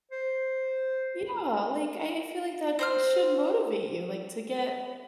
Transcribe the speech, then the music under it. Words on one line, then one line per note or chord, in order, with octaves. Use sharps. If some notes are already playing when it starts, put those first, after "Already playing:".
Yeah, like, I I feel like that should motivate you, like, to get,
C5
C4 C5 F6